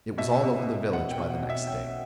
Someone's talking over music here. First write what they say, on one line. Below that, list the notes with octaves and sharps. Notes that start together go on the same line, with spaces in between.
It was all over the village by the next day.
B2 E5
B2
B2
B2 F#5
G5
B2
F#5
B2
E5
C#4 G5